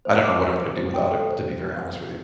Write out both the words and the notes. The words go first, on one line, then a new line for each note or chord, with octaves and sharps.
I don't know what I'm gonna do without him, to be very honest with you.
C5
D6
C5
C5
C5
G5
A4
C5